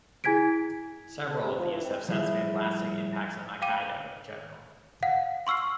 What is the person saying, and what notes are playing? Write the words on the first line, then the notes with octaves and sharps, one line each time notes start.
Several of these have since made lasting impacts on aikido in general.
E4 G#4 G#5 G#6 B6 D7
A4
C3
F3
E3
C4
F3 G3 E4 G#4 C#5 E5
F5 G5 D6 D#7
F5 F#5
C6 C#6 E6 F6 C7